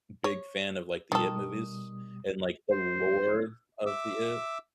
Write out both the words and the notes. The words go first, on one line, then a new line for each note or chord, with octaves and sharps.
big fan of, like, the It movies and, like, the lore of the It.
C#5
B2 D#3 G3 A4 D#6
C5
E5 D6 E6